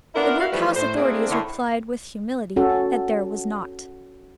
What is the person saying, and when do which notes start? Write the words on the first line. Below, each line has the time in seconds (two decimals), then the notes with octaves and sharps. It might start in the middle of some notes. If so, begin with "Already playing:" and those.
The workhouse authorities replied with humility, that there was not.
0.15 B3 D4 E4 F4 A#4
0.40 E4 F#4 E5 F5
0.52 E3 F3 G3 A3 G4 B4
0.76 A2 C5
0.97 A#3 C4 D4 E4 G#4
1.30 A2 D3
2.56 C#4 F#4 A4